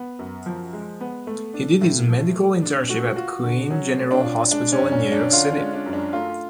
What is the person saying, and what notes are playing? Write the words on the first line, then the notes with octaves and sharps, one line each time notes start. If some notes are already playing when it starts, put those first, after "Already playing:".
He did his medical internship at Queens General Hospital in New York City.
Already playing: B3
F#2
F3
G#3
B3
A3
D4
A2
F3
A3
D4
A3 F#4
F4 F#4
D3
F#3 C#4
A3
D4
F4
G#3 D4
C#4
F#2
C#4
F#2
D4
D3 F4
C#4
G#3
D4
F#2
D4
A3 F4